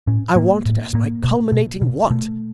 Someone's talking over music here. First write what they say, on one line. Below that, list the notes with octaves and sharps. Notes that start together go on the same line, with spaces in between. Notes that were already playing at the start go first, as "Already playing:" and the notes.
I want it as my culminating want.
A2 C#4
A2 A#3
A2
A2 A#3
B2
B2
B2
B2 A3